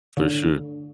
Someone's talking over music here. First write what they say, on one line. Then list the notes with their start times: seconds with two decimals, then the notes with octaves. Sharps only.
For sure.
0.17 D3